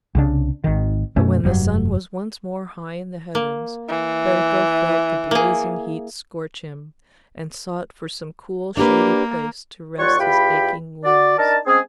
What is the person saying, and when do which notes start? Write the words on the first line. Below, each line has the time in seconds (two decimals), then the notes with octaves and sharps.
But when the sun was once more high in the heavens, Ferko felt the blazing heat scorch him, and sought for some cool shady place to rest his aching limbs.
0.15 C2 C#3 D4
0.64 G#1 D#3
1.16 F#2 B2 A3 C#4
1.43 F1 G2 F#3
3.35 A#3
3.88 E3
5.31 A#3 G#4
8.77 A#3 D4 G4 B4
9.99 D#2 G3 F4 C#5 F#5 C#6
10.20 E2 F4 G4 G5 B5
11.05 F#4 D5
11.38 D4 D#4 A#4 A5
11.67 G#3 C4 C#4 G#4